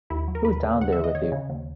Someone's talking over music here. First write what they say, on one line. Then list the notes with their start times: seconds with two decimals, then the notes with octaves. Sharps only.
Who's down there with you?
0.10 D#2 E4
0.28 F#3
0.35 A#4
0.45 D#2 B4
0.63 C#3
0.81 D#2 F#5
0.92 E5
0.98 D#2
1.04 D#5
1.15 D#2 C#5
1.32 C#3
1.49 D#2